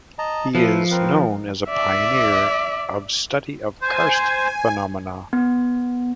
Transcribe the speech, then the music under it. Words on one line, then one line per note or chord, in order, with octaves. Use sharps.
He is known as a pioneer of study of karst phenomena.
D#5 A5 A#5
F3 A4 B4 E5
C4 A#4 B4
D5 E5
C5 G#5
B3